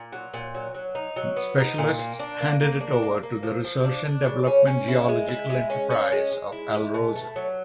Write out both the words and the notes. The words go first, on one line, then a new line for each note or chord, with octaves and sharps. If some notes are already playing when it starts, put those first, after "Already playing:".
Specialists handed it over to the Research and Development Geological Enterprise of Alrosa.
Already playing: A#2
F#3
A#2
F#3
F#3
D#4
F#3
B3
D#4
A#2
A#3
D4
A#3
A#3
D4
A#3
A#3
F3
F3
D4
D4
C#3
C#4
C#4
E4
G#3
E4
G#3
C#4
C#4
G#3
G#3
E4
G#3
B2
A3
F#3